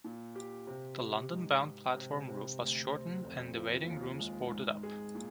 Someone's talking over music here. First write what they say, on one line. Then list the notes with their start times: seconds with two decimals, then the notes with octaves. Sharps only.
The London-bound platform roof was shortened and the waiting rooms boarded up.
0.04 A#2
0.35 G4
0.67 C3
1.00 G4
1.32 G#2
1.63 G#2
1.96 C3
2.28 C3
2.59 D2
2.92 C4
3.24 F1
3.56 F3
3.87 D#2
4.20 G#3
4.51 G#2
4.83 G#4
5.15 A#2